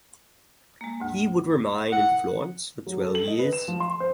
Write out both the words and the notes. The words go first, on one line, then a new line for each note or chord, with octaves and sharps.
He would remain in Florence for twelve years.
G#3 A#3
D2 G#2
E4 A#4 F#5
F#3
A4
F#7
D#5
B4
E7
F3
C6
C5